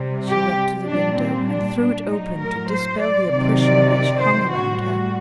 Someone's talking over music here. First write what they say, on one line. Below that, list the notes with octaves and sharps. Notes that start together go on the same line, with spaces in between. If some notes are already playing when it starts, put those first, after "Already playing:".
She went to the window, and threw it open, to dispel the oppression which hung around her.
Already playing: C3 G3
G4
A#2 G3 D4
C4
D4
A2 F#3 D#4
A#4
C5
D5
C3 D#3 F#3 D5
D5
D5
C5
A2 G3 F#4
F#4